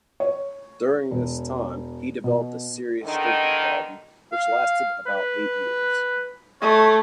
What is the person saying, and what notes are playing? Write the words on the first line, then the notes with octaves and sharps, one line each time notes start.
During this time he developed a serious drinking problem, which lasted about eight years.
C#5
E1
B2
E2 D3 D#3
F5
B4
A3 C#5